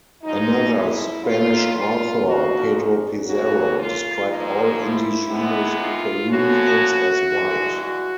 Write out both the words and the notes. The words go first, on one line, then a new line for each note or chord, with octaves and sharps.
Another Spanish author, Pedro Pizarro, described all indigenous Peruvians as white.
G#2 F3 G#3 D#4
E4
D#2 D#3 F#3 F4
F4
A#2 F3 A#3 D4 F#4
F#2 C#3 F#3 A#3 C#4 F#4
F4
G#2 F3 A#3 D#4
E4
C3 D#3 G#3 B3
F4
A2 F3 A3 C#4 F#4
G2 E3 G#3
F#4